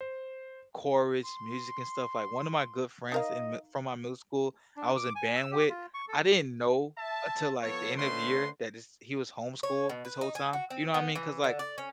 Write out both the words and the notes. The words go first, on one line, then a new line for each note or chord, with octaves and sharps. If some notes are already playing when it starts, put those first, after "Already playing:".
chorus, music, and stuff, like, one of my good friends in mi from my middle school I was in band with, I didn't know until, like, the end of the year that this he was homeschooled this whole time. You know what I mean? 'Cause, like,
C5
C6
D#4 A#4 D#5 F5
D4
D6
G#5
E6
G4
F4
C#6
A4
E5 A5
F3 B3 A4 C#5
D3 A3 C#4 B4 C5 C6
C#5
B2
B4
D#4
G#5
F#4
C4
B3
E3
D3
D5
C#4